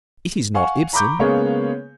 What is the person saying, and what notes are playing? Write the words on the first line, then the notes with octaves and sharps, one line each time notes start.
It is not Ibsen.
F5 F#5 G#5 C#6
A#5 B5 C#6 D6 G6
C#3 G#3 A#3 B3 G#4 C#5